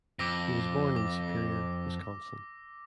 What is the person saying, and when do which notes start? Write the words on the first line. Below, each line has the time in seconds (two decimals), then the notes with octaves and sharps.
He was born in Superior, Wisconsin.
0.19 F2 D6 E6 A#6
0.96 D6